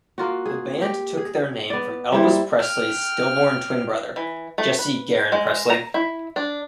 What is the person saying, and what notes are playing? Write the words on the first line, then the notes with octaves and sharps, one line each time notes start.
The band took their name from Elvis Presley's stillborn twin brother, Jesse Garon Presley.
A#3 F4 F#4
G#4
G4
G#4
B3 D5
G3 A#3 E4 C5
G5 F6
E3
A3
B4
G#3
A#5
E4
D4